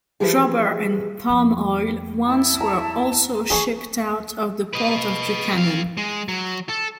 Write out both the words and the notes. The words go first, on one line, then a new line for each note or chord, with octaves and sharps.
Rubber and palm oil once were also shipped out of the Port Of Buchanan.
E3 F3 G4 G#4
F2
E4 A5
A#5
E3 B3 G#4 C#6
B4 D#5
F2 F5
G#3
F#3
A4